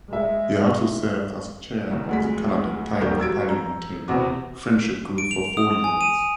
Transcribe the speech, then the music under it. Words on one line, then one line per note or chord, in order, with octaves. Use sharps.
He also served as chair of the Canada-Taiwan Parliamentary Friendship Group for four years.
G#3 E5
C2 G3
D2 G#3 B6
D#1 D#2 G3 G4 A#4 G6
F#3 E6 G#6 D7
A#5
E2 C3 B3 C4 F#4 D6
D7
F7
D#6
G#5
D#7